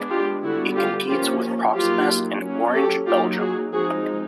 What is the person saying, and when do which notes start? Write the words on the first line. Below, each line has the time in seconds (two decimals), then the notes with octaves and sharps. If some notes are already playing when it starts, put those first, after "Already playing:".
It competes with Proximus and Orange Belgium.
Already playing: G#3 B3 D4
0.10 F4 G4
0.43 D3 G3 B3 E4 F#4
0.76 F4 G4
1.09 F3 A#3 C#4 F4 G4
1.75 F#3 A#3 D#4 F4 G4
2.41 F#3 A#3 C#4
2.73 G4 A4
3.07 F#3 A#3 D#4 F4 G4
3.39 F#4 G#4
3.73 F3 G#3 C4 D#4 F#4 G#4